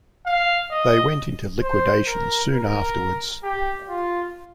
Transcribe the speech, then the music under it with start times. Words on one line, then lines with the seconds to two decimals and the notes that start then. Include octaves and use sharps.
They went into liquidation soon afterwards.
0.26 F5
0.71 D#5
1.62 C5
2.07 A#4
2.53 A#4
3.44 G4
3.89 F4